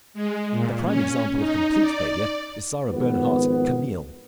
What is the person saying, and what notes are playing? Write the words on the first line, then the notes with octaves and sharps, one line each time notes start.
The prime example of complete failure is Sarah Bernhardt's Camille.
G#3
A#2
C#4
D#4
D5
G#1 F2 B2 B3